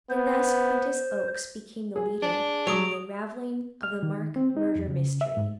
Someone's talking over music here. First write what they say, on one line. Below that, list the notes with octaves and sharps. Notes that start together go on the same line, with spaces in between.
And thus Quintus Oakes became the leader in the unravelling of the Mark murder mystery.
B3 C5
G#4
D4
F#3 D#6 D7 F7
F6
D#3
C4
D#4
F2
C#3
E5
G#2